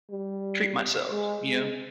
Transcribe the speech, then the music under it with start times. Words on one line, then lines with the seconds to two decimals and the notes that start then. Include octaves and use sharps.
"Treat myself," you know?
0.11 G3
1.11 G#3
1.45 G#3